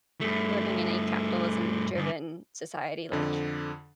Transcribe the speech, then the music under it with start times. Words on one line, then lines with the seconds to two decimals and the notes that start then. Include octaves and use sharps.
living in a capitalism-driven society, like
0.21 G2 A3
1.95 G2 D3
3.12 F2 D3